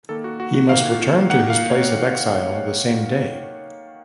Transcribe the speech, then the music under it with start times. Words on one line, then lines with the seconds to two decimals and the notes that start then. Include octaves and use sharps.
He must return to his place of exile the same day.
0.09 D#3 A#3 A4
0.24 F#4
0.40 F#4
0.54 F#4
0.69 D#3 A#3 F5
1.30 D#3 A#3 F#5
1.50 F5
1.70 C#5
1.91 D#3 A#3